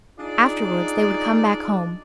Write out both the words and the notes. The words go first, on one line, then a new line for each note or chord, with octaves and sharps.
Afterwards they would come back home.
D4 D#4 F4 G#4 D5